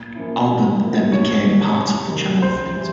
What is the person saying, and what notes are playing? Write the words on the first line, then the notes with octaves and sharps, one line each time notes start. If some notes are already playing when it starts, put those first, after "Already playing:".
"Albion" then became part of the Channel Fleet.
Already playing: A#2
F3 A#3 C#4 E4
A#2
F3 A#3 C#4 E4
F2 C#5
C3 D#3
F2
C3 D#3
C#3 C5
E3 G3